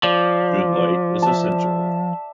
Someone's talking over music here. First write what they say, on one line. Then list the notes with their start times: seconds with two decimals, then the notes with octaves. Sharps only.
Good light is essential.
0.03 F3 D5
1.22 E5 A5